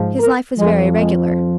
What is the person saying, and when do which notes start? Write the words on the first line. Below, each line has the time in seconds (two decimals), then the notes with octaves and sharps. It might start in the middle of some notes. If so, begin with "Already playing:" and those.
His life was very regular.
Already playing: G#2 F3
0.20 A#4
0.58 F2 F3 G#3
0.96 G#3